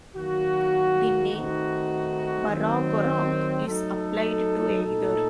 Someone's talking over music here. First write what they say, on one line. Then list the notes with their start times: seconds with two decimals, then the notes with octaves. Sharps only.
The name "Burragorang" is applied to either.
0.16 D#3 F#3 A#3 F#4
1.33 D#3 A3 C4 D#4 F#4
2.49 D#3 F#3 C4
3.67 F#3 A3 D#4 A4
4.83 A#2 A3 D#4 A4